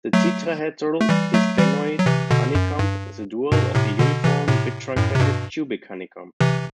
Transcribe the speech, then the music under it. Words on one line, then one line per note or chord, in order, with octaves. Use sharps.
The tetrahedral disphenoid honeycomb is the dual of the uniform bitruncated cubic honeycomb.
F#3 A3
A3
E3 G3
F#3 A3
E3 G3
F#3
C3 E3
B2 D3
F#2
G2
G2 B2
A2 C3
B2 D3
C3 E3
A2 C3
F#2 A2
C3
G2 B2
C3 E3